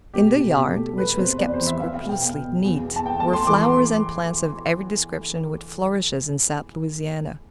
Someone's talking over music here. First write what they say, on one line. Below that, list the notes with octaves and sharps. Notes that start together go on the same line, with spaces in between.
In the yard, which was kept scrupulously neat, were flowers and plants of every description which flourishes in South Louisiana.
B2 G4
B2
B2
A3
E2 B4
C3 C5
E2 D5
C5
E3
E5
B3 F5
F5
B2
G5
B2
B2
E2
E2
A5
E2 G5
A5
A3
C6
E3 D6
C6